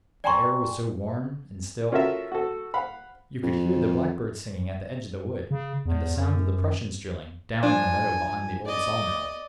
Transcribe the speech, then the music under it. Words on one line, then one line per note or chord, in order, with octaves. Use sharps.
The air was so warm and still,--you could hear the blackbird singing at the edge of the wood, and the sound of the Prussians drilling, down in the meadow behind the old sawmill.
D5 G5 G#5 A#5 C6 C#6
C#4 F4 F#4 A4 A#4 E5
F#4 A4
F5 F#5 B5
F2
C#3
E2
F#2
F3 D4 G#5
D5 D#5